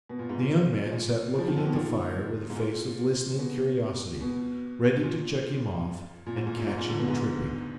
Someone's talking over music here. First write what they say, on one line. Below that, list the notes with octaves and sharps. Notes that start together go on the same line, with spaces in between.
The young man sat looking at the fire with a face of listening curiosity, ready to check him off and catch him tripping.
B2
A#2
G#2
A#2
A#2
F3
D#3
D3
B2
A#2
G#2
A#2
B2
B2
A#2
A#2
G#2
A#2
A#2
G#2
A#2
D3
B2
G#2